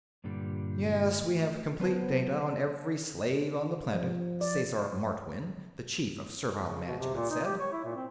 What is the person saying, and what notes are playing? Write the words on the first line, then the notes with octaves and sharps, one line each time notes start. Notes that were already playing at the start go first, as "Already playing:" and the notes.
"Yes, we have complete data on every slave on the planet," Sesar Martwynn, the Chief of Servile Management, said.
G2 A#2 D3 G3
A3
F#3 B3 B4 C5 A5
F3
D5
C#3
B2
C3
A#2
D#4
G4
C#5
E4
A#2
C4